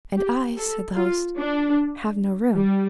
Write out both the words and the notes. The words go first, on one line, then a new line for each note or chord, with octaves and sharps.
"And I," said the host, "have no room."
G4
A4
F4
D4
G3